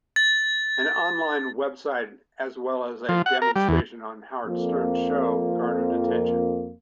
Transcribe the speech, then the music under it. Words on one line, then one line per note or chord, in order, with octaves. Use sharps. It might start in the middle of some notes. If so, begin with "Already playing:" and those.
An online website as well as a demonstration on Howard Stern's show garnered attention.
A6
F3
F#5
A#4
G3
E2
F2 A#3